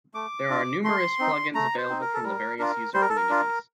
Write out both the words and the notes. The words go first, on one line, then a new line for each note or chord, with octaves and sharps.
There are numerous plugins available from the various user communities.
A3 D6
D4 F4
A3 C6
C4 D#4
A3 A#5
C5
C4 D#4
A#4
A4
G3 A#4
D4 F4 A#4
G3 C5
A#4
A4
A#4
D4 F4